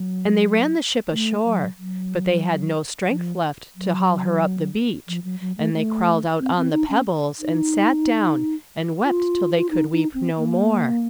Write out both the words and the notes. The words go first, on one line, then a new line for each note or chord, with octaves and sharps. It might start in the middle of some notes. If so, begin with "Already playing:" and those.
And they ran the ship ashore; but they had no strength left to haul her up the beach; and they crawled out on the pebbles, and sat down, and wept till they could weep no more.
Already playing: F#3
A3
F#3
F#3
F3
F#3
F3
F#3
F#3
A3
A3
C4
C4
D#4
C#4
D#4
F4
F4
D#4
D#4
C4
A#3